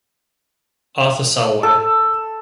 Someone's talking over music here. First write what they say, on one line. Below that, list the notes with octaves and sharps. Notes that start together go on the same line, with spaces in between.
Arthur Salwey.
A4